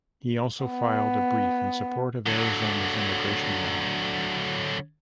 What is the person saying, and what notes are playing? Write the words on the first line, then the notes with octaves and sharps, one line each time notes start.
He also filed a brief in support of Arizona's immigration law.
B3
D3 F#3